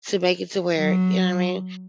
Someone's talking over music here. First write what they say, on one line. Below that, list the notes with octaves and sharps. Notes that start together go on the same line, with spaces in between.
to make it to where you know I mean?
F#3